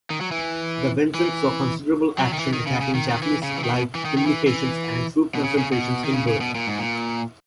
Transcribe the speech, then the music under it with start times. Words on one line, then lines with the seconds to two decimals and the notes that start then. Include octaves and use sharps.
The Vengeance saw considerable action attacking Japanese supply, communications and troop concentrations in Burma.
0.10 D#3
0.21 F#3
0.32 E3
1.14 E3
2.18 F#3
2.33 D#3
2.39 E3
2.53 D#3
2.67 C#3
2.81 C#3
2.95 D#3
3.09 D#3
3.22 E3
3.43 C#3
3.57 E3
3.64 D#3
3.74 B2
3.95 E3
4.05 D#3
4.17 D#3
4.26 E3
4.47 E3
5.35 B2
5.44 C#3
5.58 C#3
5.72 B2
6.04 D#3
6.14 C#3
6.27 C#3
6.41 B2
6.55 A#2
6.67 G#2
6.79 A#2